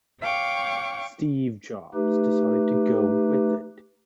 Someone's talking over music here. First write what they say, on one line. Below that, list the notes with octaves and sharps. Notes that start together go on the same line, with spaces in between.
Steve Jobs decided to go with it.
C#5 F5 G5 C#6 D6
A3 D#4 G4 B4